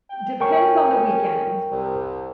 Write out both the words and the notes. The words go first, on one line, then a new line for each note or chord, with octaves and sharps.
depends on the weekend,
G5
D2 C#4 A#4 G5 C#6
C2